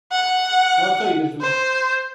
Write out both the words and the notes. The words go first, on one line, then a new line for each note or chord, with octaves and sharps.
Well, I tell you this was
F#5
C5